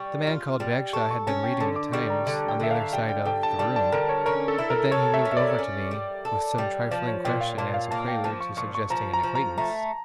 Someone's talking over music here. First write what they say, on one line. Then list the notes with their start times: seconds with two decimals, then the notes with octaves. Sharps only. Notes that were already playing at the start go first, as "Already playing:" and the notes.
The man called Bagshawe had been reading The Times on the other side of the room, but then he moved over to me with some trifling question as a prelude to suggesting an acquaintance.
Already playing: G3 C#6
0.27 F4
0.60 G3
0.93 A4 C#6
1.11 C#6
1.27 C#4 A5
1.44 G5
1.60 D3 A5
1.76 D6
1.93 G3 C#6
2.10 A#5
2.27 D3
2.48 G5
2.60 D3 E5
2.71 F5
2.93 G3 G5
3.09 G5
3.26 D3 G5
3.43 A5
3.59 G3 A5
3.76 A5
3.92 D3 A#4
4.09 C#5
4.26 C#4 A#4
4.48 A4
4.58 E4
4.70 A#4
4.92 A4 C#5
5.14 E5
5.25 C#4
5.32 E5
5.37 D5
5.59 C#4
5.91 G3
6.25 A4
6.58 G3
6.91 F3 D5
7.07 C#5
7.25 A#2 G5
7.41 F5
7.58 A#2 A5
7.74 F5
7.91 A#3 A5
8.08 G5
8.24 F3 A5
8.41 C#6
8.57 A#2 C#6
8.75 C#6
8.90 F3 A#5
9.14 A#5
9.23 F3
9.35 A#5
9.58 A3 A#5